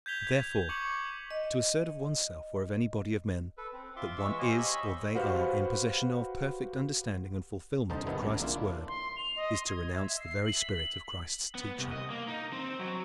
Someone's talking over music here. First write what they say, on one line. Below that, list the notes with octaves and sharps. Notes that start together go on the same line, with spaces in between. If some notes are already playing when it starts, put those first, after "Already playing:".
And therefore, to assert of one's self or of any body of men, that one is or they are in possession of perfect understanding and fulfillment of Christ's word, is to renounce the very spirit of Christ's teaching.
G6 G#6 B6 F7 G7
C#6 D6 C#7 F#7
D#5
A4 B4
C4
F4 E5 C6 D6
E3 G#3 E5 C#6 E6
G4 C5 C#5 D#5 F5 G#5
D#5 B5 C#6 E6
F#4 G4 B4 C5 F5 F6
C2 D3 D#4 C5 A5
G2 D#3 B3 D#4 E4
A#1 C#3
A#3 D4 E4 F4
C6
F7
D#5
C6
G#6
E5
C7
F#7
B6
F#7
B3
C2
D#5
A#3
D#4
C4
F#3